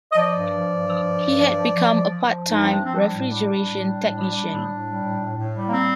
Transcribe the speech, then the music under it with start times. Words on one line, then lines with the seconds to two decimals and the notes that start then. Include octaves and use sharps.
He had become a part-time refrigeration technician.
0.12 D#5
0.17 F3 D5
0.34 G2
0.52 F3
0.69 G2
0.86 F3
1.04 G2
1.21 G2
1.39 F3
1.56 F3
1.74 F3
1.90 F3
2.08 F3
2.25 F3
2.42 G2
2.48 D#4
2.60 F3 C4
2.71 D4
2.77 F3
2.86 C4
2.94 G3 D4
3.12 A2
3.29 G3
3.47 G3
3.63 A2
3.81 G3
3.98 A2
4.15 G3
4.33 G3
4.50 A2
4.67 A2
4.85 G3
5.02 A2
5.20 A2
5.37 A2
5.54 G3
5.67 A#3
5.71 C4